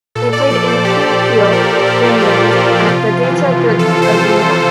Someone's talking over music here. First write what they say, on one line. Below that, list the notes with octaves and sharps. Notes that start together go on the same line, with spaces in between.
They play in Kuopio, Finland at the Data Group Areena.
A#2 A4
D5
F3 D5
C5
A#2 G4
F3
A#2 A#4
F3 A4
F4
A#2 F4
F3
C3 F4
E3
C3
A4
E3
C5
C3